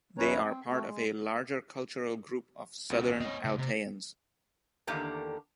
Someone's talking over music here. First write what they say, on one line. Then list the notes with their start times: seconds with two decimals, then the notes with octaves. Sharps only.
They are part of a larger cultural group of Southern Altaians.
0.18 E2 F#3 C#4 B4 C#5 A#5
0.44 C4
0.70 A3 C4 F#4
0.85 G#3
2.90 C#2 B2
3.08 A1
3.21 C4 C#5 D#5
3.45 C#3 A3
3.58 C3
4.87 E2 D3 D#3 A#3 G4 A4